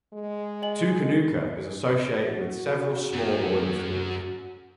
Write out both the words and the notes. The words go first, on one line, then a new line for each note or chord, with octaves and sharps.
Tookoonooka is associated with several small oil fields.
G#3
D#5 G#5 F#7
F#4
F#2